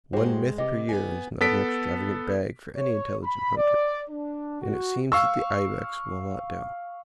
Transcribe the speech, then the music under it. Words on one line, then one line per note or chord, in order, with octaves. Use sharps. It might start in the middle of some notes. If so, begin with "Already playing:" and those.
One myth per year is not an extravagant bag for any intelligent hunter; and it seems that the "ibex" will not down.
G2 G#3 F#4 G4 C5
C3 G4 B4 D#5
B3 G#5
B3 A4 B6 D7
C#5
B5
D5
D4
F#4
F5 C#6 E6